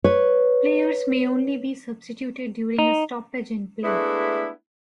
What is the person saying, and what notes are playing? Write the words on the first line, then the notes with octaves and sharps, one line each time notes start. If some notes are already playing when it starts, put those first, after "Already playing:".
Players may only be substituted during a stoppage in play.
B4 C#5
D#4
G#3 A3 B3 D4 E4